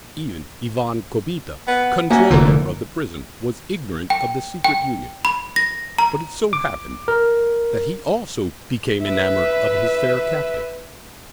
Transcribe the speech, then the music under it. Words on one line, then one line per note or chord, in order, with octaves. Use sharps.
Even Ivan Kobita, controller of the prison, was ignorant of the secret union, but it so happened that he also became enamoured of his fair captive.
B3
A#3 C#4 F#4 E5
F1 A#2 D3 E3
G5
G5
B5
A#6
A#5
D6
A#4
B4 E5